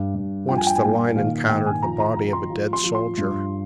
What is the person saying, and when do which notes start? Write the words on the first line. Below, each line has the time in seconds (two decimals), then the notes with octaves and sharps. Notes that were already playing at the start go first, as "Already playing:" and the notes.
Once the line encountered the body of a dead soldier.
Already playing: G2
0.14 G2
0.48 F3 G5
0.57 G#5
0.67 G5
0.75 G#5
0.82 A#2 G5
1.16 D#3 F5
1.32 F5
1.49 D#3 G5
1.66 G#5
1.82 F3 A#5
2.00 A#5
2.16 F3 A#5
2.33 C6
2.50 F3
2.73 C6
2.83 F3
2.95 C6
3.17 G2